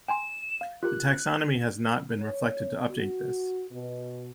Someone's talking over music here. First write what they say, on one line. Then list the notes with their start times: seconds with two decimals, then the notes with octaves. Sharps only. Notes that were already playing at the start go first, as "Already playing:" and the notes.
The taxonomy has not been reflected to update this.
0.08 G5 G#5 C6 E7
0.61 F5
0.83 F4 G4 A#4 F#6
1.05 G6
2.18 C#5
2.90 F#4
3.71 B2